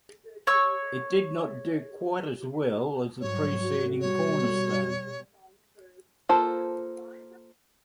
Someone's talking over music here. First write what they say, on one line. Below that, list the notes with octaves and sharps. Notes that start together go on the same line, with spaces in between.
It did not do quite as well as the preceding "Cornerstone".
C#5 C#6 E6
G#2 F#3 G3 C#5
F#4
B2 G3 C#5
A#3 F4 A4 C5 A5